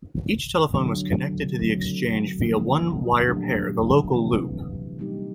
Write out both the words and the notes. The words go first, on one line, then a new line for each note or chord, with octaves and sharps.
Each telephone was connected to the exchange via one wire pair, the local loop.
D3 F#3 A3 D4
C#3 F#3 A3 C4
D3 F3 A#3 C#4 E4
A#2 F#3 A3 D4 G4
C3 E3 A3 C4
E3 G3 A#3 D#4 G4